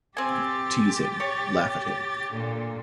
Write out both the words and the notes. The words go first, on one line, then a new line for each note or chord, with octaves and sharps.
Tease him — laugh at him.
C4 G4 G#5 A6
C#5
A#2 D3